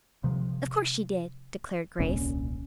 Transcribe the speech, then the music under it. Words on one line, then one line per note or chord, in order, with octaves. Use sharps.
"Of course she did," declared Grace.
C3 F3
D#1 C2 A#2 C#4